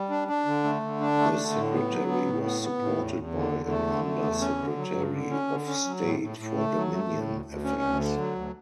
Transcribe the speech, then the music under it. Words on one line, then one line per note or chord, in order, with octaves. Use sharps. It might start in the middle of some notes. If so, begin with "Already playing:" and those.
The Secretary was supported by an Under-Secretary of State for Dominion Affairs.
Already playing: G3
D4
D4
D3
A3
D3
D4
A3
D3
A2
B3
F#3
B3
A2
B3
B3
A2
E2
E2
D3
E2
A3
D3
A3
E2
C#4
D3
F#3
G2
D3
C#4
D3
C#4
F#3
A2
A2
A2
A3
F#3
A3
A2
D2
D2
C#4
D2
D3
F#3
D2